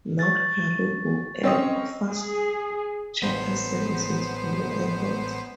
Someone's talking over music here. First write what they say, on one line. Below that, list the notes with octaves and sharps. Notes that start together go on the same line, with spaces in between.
North Cariboo Air offers charter services from the airport.
C#6 A6
C4 C#4 D#5
G#4
A1 B3 C5